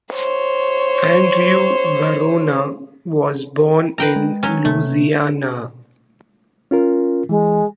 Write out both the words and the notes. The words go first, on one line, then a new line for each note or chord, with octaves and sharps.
Andrew Varona was born in Louisiana.
C5 C#5
B4 G5 A#5
G#3
F#3 C#4
C3 A3 A#3
C#4 F4 A#4
E3 G#3